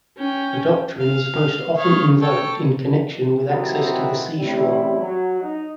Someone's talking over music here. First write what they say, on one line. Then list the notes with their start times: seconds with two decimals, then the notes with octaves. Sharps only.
The doctrine is most often invoked in connection with access to the seashore.
0.17 C#4 G5
1.00 F5
1.77 D#3 C#5 F5
2.21 A4 C#5 G5
3.47 C3 D#3 E3 F#3 B3 C4
4.38 A1 C#3 G3 C4 E4
4.99 F#3
5.41 D#4